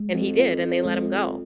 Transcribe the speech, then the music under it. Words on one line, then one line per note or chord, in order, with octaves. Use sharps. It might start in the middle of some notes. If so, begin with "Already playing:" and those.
and he did, and they let him go.
Already playing: G#3
F2
F4
G#3